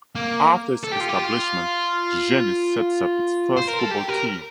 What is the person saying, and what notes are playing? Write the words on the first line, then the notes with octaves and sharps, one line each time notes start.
After its establishment Digenis sets up its first football team.
A#3
A4
G4
F4
G4
F4
C5
A#4
A4
G4
A#4